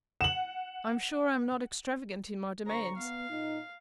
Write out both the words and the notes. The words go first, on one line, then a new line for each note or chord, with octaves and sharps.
I am sure I am not extravagant in my demands.
F#5 E7 F#7
D3 G3 C5 A#5 C#6
B3 F5
A#2 D#4